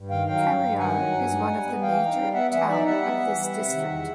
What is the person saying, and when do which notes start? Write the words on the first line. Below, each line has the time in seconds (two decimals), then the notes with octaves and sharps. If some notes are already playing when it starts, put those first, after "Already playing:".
Khariar is one of the major town of this district.
Already playing: G2
0.10 D#3 F5 G5
0.27 F#3 F5 G5
0.44 G2
0.61 G2
0.78 D#3 F#5 G#5
0.96 F#3
1.13 G2
1.30 D#4
1.48 G3
1.65 B3
1.82 E3 F5 G5
1.99 D#4
2.16 G3
2.33 B3 E5 F#5
2.51 E3 E5 F#5
2.68 D#4 D5 E5
2.85 G3 E5 F#5
3.03 B3
3.19 E3
3.37 G3
3.54 C3
3.71 D#3
3.88 E2